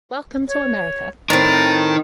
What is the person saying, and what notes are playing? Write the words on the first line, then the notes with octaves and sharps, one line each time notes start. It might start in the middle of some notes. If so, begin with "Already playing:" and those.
Welcome to America.
C#5
A2 C4 D#4 A#4 A6